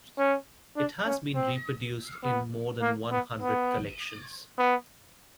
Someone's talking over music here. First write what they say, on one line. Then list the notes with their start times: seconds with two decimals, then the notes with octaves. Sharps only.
It has been reproduced in more than one hundred collections.
0.18 C#4
0.77 D4
1.06 C#4
1.35 C4
2.23 B3
2.82 A#3
3.11 B3
3.42 B3
4.58 B3